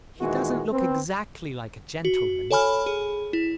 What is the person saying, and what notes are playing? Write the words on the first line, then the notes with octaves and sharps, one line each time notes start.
"He doesn't look exactly like a gentleman."
A#2 D#3 E3 G#3 F#4
B3 C4
F#4
A4 C#5 G#5 B5 F6
G#4
E4